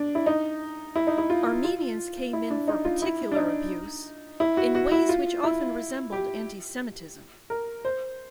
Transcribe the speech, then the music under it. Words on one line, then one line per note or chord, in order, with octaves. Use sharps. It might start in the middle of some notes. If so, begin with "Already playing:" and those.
Armenians came in for particular abuse in ways which often resembled anti-Semitism.
Already playing: D4
E4
D#4
E4
D#4
E4
F4
F4
E4
D4
D#4
F4
E4
D4
D#4
E4
F#4
F#4
E4
F4
E4
G4
A#4
C5